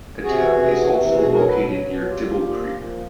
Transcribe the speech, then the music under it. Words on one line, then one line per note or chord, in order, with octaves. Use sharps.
The town is also located near Dibble Creek.
C3 F#4 G#4
E3
C3
E3
C3
E3
B2 F#4 G#4
F#3 G#4 A#4
B2 A4 B4
F#3
B2
F#3
A#2 F4 G4
F3
A#2
F3
A#2
F3